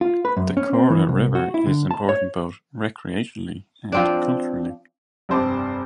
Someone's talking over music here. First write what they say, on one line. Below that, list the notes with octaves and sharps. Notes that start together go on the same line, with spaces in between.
The Caura River is important both recreationally and culturally.
F4
B4
F#2
C#4
C4
E3
C2
F#4
E4
D3
A5
C#5
F3 C4 D4
F1 G2 C4 C5 A5 D6